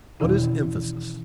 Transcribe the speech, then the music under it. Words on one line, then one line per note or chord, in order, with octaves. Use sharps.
What is emphasis?
E2 B2 D#3 E3 C#4 E4